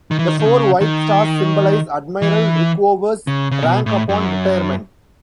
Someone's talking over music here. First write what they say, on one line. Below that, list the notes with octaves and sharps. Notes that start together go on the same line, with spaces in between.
The four white stars symbolize Admiral Rickover's rank upon retirement.
D#3
E3
D#3
D#3
C#3
D#3
E3
C#3
C#3
B2
A2
F#2